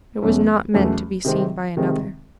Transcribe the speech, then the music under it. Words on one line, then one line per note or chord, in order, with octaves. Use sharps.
It was not meant to be seen by another.
E2 B2 F#3 A3 C#4
E2 B2 F#3 A3 C#4
C3 D#3 G#3 C4
C3 D#3 G#3 C4